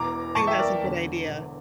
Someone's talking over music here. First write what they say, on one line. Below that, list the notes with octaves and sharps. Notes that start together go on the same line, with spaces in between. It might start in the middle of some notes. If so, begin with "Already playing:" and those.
I think that's a good idea.
Already playing: E1 E2 E3 A#5 D6
E1 E2 E3 A5 C#6
E5 G5
A#4 D5
E1 E2 D3
E1 E2 D3